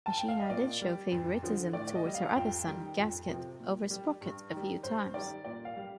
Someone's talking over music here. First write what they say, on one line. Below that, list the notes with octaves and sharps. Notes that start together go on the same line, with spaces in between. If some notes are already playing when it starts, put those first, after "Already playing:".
Machina did show favoritism towards her other son, Gasket, over Sprocket a few times.
A5
G5
F5
D#5
A#2 D5
G3
F2
D3 F3
A2 D5
D5
D#5
G3
F5
F2 G5
D#3 G3
F2
C3 F3
A#2
G3
G2
D#3 G3
G2 C5
D#3 G3 D5
A#2 D5
F5
G3